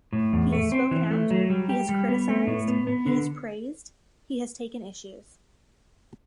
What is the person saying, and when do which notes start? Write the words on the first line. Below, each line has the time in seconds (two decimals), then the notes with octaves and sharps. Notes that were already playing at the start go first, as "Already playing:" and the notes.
He has spoken out; he has criticized; he has praised; he has taken issues.
0.13 A2
0.33 E2
0.52 A3
0.72 C4
0.91 E3
1.11 A3
1.31 F#3
1.50 G3
1.69 G4
1.89 G3
2.09 B3
2.29 A3
2.47 A2
2.68 B3
2.87 B3
3.06 D3